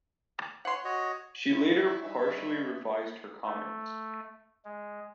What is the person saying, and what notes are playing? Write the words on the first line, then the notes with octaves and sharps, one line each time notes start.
She later partially revised her comments.
C#5 F#5 C6
F#4 C#5 D#5
E4
G3 D4 D#4 B4 C#5 E5
A3
G#3